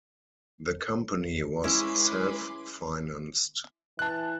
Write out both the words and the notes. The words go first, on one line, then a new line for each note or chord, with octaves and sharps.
The company was self-financed.
G#3 C#4 E4 B4 C6 D6
E3 A5 F#6